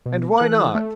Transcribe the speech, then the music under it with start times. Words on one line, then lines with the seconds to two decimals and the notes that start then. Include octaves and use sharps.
"And why not?"
0.06 B2
0.38 E3 A4 F#6
0.75 A3